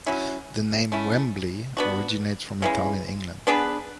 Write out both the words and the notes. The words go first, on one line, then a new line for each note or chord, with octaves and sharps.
The name 'Wembley' originates from a town in England.
F#3 C#4 E4
A3 C#4 E4
B3 D4 F#4
C#3 E3 G#3
B3 D4 G#4 B4